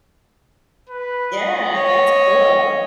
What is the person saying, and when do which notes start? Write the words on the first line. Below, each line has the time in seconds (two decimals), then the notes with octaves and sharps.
Yeah, that's cool.
0.89 B4
1.34 D#5
1.75 C#5